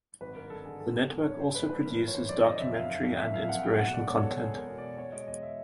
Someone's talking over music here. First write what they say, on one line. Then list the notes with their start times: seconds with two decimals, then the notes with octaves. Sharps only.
The network also produces documentary and inspirational content.
0.21 G#1 B4
0.35 G2 A#4
0.50 G2 A4
0.65 D3 G#4
0.80 G#1 A4
0.96 G#1 A4
1.10 G#1
1.25 G2 C#5
1.40 G2 C5
1.55 A3 B4
1.69 A3 B4
1.85 E3 A#4
1.99 G2
2.08 C#5
2.14 E3 C5
2.29 G2 D5
2.44 G2 D#5
2.59 F2 E5
2.74 F#1 F5
2.89 F#1
3.04 F2 E5
3.18 F#1 E5
3.34 F2 F5
3.48 F#1 F#5
3.59 F#5
3.63 F#1 G5
3.79 B2 F#5
3.93 G#3 D5
4.08 E2 C#5
4.23 B3 A4
4.38 E2 G#4
4.53 E2 A#4
4.68 B2
4.78 B2 D5
4.98 B2 C#5
5.12 G#3 D#5
5.28 E2 D#5
5.42 E5